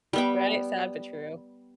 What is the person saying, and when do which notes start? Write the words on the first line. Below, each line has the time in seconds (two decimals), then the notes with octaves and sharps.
Right, sad but true.
0.13 G3 B3 G5